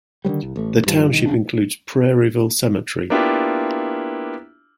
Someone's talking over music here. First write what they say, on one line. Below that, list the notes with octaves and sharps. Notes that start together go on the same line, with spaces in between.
The township includes Prairieville Cemetery.
D3 D#3 F#3 G3
C2
A1 A3
G2 E3 F3
C2 D#3
F1 C#3 D4
A#3 B3 D4 E4 F4 G4